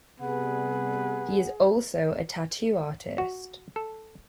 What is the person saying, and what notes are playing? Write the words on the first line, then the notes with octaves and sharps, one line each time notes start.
He is also a tattoo artist.
C3 G3 B3 G#4 B4 F#5
F#4
A4